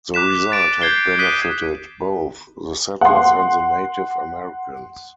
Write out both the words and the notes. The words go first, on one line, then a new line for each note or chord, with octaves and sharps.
The result had benefited both the settlers and the Native Americans.
D6 F#6 B6 E7
F#6 A6 D7 E7
G6 G#6 C7 G7
D#6 F#6 B6 D#7 G7
F#5 C6